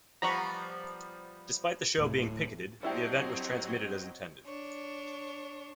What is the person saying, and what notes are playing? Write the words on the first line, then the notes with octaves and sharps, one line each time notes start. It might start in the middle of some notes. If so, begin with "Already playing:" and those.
Despite the show being picketed, the event was transmitted as intended.
F3 G3 B3 A#5 B5 C#6
D1 A2
F#3 C4 D4 E4 G4 D#5
D4 C#5